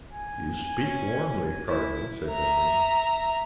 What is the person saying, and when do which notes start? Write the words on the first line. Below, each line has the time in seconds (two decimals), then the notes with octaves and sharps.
"You speak warmly, cardinal," said Henry.
0.13 G#5
0.79 C#4
1.67 E4
2.27 E5 A#5